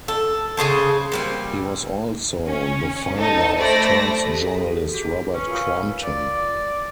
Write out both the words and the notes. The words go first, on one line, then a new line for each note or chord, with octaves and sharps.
He was also the father of Times journalist Robert Crampton.
A4
C#3 G#4 C5 A5
A#2 G3 C4
C#4
D#4 A4
A3 C5 D5 B5 A#6
G4 A4
F#4 G#4
C#4 B4
F4 A#4 F5
D5
D6